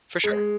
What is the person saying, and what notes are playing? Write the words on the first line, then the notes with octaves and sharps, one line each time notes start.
For sure.
G#3